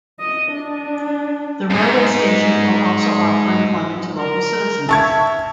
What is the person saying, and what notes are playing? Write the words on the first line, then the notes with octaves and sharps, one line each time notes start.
The railway station will also offer employment to local citizens.
D#5
D4
F2 G#2
A#4
E5 A5 C#6 G#6